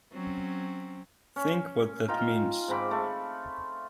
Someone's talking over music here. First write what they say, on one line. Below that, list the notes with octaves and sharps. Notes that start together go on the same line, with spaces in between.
Think what that means.
F#3 C4 C#4
C#4
D#4 F4 F5 G5
G#2 C4 B5 D6
A3